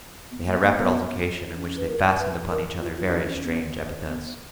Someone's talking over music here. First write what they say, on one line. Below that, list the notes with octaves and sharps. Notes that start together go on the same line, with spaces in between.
They had a rapid altercation, in which they fastened upon each other various strange epithets.
B3
A#3
A#3
B3
C#4
B4
A#4
B4
A#4
F4
F4
C#4
D#4
C#4
B3
B3